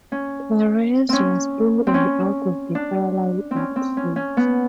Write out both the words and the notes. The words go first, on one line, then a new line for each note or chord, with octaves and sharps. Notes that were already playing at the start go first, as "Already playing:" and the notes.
Perez was in-and-out of the Fire lineup since.
C#4
C4 C#4
C4
C#4
D4
C4
C#4
C4
C#4
C#4
B3